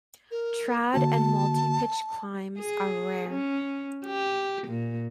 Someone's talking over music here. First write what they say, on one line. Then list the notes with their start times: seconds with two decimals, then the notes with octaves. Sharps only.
Trad and multipitch climbs are rare.
0.31 A#4
0.94 D3 A#3 F#4 A5
2.59 G#4
3.29 C#4
4.06 G4
4.68 A#2